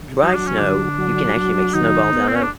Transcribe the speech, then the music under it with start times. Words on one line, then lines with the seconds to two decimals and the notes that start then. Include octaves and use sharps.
dry snow, you can actually make snowballs out of.
0.23 F#3 D#4
0.35 D4
0.47 C#4
0.59 D3 D4
0.98 F#3
1.36 F#3
1.74 D#3 D#4
2.13 B3
2.28 C4
2.36 C#4
2.43 D4